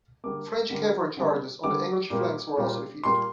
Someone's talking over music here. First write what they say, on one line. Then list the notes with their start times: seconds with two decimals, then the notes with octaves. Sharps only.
French cavalry charges on the English flanks were also defeated.
0.24 D3 G3 A#3 D6
0.70 D3 G3 A#3
1.17 D3 G3 A#3
1.64 D3 G3 A#3 D6
2.10 A#2 G3 A#3
2.57 A#2 G3 A#3
3.04 A#2 G3 A#3 C6